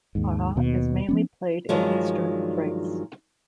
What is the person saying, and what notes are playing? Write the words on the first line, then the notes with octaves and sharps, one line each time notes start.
Hora is mainly played in Eastern Thrace.
D#2 G#2
D#2 B2
F3 B3 C#4
G2 D#3 F3 F#3 G#3